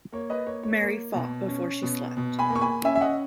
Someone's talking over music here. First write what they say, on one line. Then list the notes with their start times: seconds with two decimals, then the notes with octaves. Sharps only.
Mary fought before she slept.
0.12 A#3 C#5
0.30 B4 D#5
0.47 A#3 C#5
0.63 C#5
0.81 A#3
1.14 B2
1.48 C#4
1.82 B2
2.17 B2
2.39 G#5 B5
2.50 A#3
2.55 C#6
2.61 G#5 B5
2.84 C#4 E5 G#5
2.95 E5
3.01 D#5 F#5